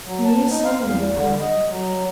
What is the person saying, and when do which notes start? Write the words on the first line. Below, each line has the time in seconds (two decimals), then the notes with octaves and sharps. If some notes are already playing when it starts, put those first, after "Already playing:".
He knew Sonya would pass that way.
0.05 F#3
0.25 A5
0.50 D#4
0.64 F5
0.79 E2
1.15 D3
1.40 D#5
1.68 F#3